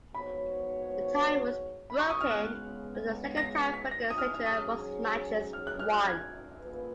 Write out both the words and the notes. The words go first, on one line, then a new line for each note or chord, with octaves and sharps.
The tie was broken from the "Second Tie Breaking Criteria: Most Matches Won".
G#2 F3 B3 F#4 C#5 B5
B5
C#6
D#6
F6
C#3 G#3 B3 F#6
A#6
C#7
B6
A#6
D#6
F6
F6
G#2 F#3 C#4 G#4 D#6
F6
F#6
F6
F#6
G#6
A#3 F4 G#4 B4